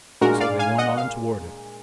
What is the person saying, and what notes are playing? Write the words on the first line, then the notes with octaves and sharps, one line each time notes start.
So they went on toward it.
A#2 G#3 D4 F#4 A#4
D5 F5
F5 G#5
D#5 F#5
F5